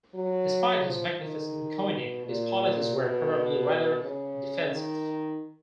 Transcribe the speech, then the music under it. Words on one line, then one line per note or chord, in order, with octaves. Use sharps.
Despite his magnificent coinage, his policies were probably rather defensive.
F#3
F3
D#3
B2
A#2
B2
C#3
D#3